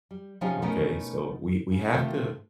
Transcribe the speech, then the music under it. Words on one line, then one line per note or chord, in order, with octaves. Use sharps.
Okay? So we we have to,
G3
C3 F3 C#4 D#4 G4 G#4
B2 A3 B3 C#4 D#4 A#4
C#3
C3 D#3 A3 C4 F4 A4